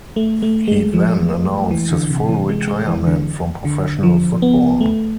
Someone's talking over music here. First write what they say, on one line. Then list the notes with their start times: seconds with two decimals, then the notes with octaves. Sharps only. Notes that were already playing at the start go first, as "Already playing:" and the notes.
He then announced his full retirement from professional football.
0.16 A3
0.42 A3
0.68 G#3
0.93 F3
1.71 E3
1.91 D3
2.10 C3
2.29 E3
2.49 G#3
2.68 G#3
2.88 E3
3.07 D3
3.65 D3
4.03 F3
4.42 B3
4.81 A3